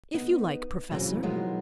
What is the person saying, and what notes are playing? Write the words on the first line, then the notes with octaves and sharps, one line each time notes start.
"If you like, professor."
B3 D#4
F2 A#2 C#3 E3 F#3
B2 D#3 F3 F#3 G#3 B3